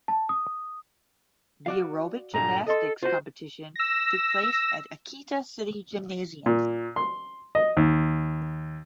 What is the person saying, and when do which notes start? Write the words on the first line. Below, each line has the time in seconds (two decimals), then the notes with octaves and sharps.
The aerobic gymnastics competition took place at Akita City Gymnasium.
0.08 A5
0.29 D#6
1.66 F#4 D5 F5
2.34 G2 A#2 D3 A#5
2.67 A4 D#5 C6
3.03 F4 F#4 C5
3.76 E6 A#6
6.46 A#2
6.96 C6
7.55 D#5
7.77 D#2